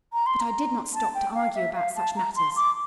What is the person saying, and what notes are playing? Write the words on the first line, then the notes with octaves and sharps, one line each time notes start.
But I did not stop to argue about such matters.
A#5
C6
A#5
A5
G5
F5
E5
F5
A5
A#5
C6
D6